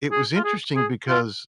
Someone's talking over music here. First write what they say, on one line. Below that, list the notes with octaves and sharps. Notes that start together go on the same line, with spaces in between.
it was interesting because
G#4
F4
G#4
G#4
F4